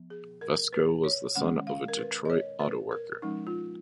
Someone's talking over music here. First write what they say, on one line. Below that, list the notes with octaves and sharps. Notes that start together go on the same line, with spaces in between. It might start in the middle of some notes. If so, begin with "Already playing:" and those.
Vesco was the son of a Detroit autoworker.
Already playing: F3 B3
G#4
A#4
B4
C#5
D#3 G#3 C#4 F#5
F5
A#4
B4
D#5
C#5
B4
A#4
F3 G#3 C#4 D#4
F4